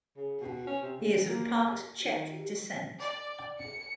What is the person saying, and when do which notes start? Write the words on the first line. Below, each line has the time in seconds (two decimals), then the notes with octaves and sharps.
He is of part Czech descent.
0.17 C#3
0.41 B2
0.67 C#4
0.82 C3
0.99 C#3
1.29 A#3
2.06 D#3
3.00 D5
3.60 C#7